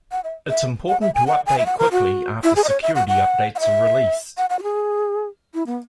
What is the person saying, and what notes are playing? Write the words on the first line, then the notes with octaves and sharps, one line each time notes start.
It's important to update quickly after security updates are released.
F#5
E5
E5
F#5
E5
G#5
F#5
G#5
E5
F#5
A#4
F#4
E4
G#4
D#5
C#5
E5
F#5
F#5
F#5
E5
F#5
F#5
F#4
G#4
E4
B3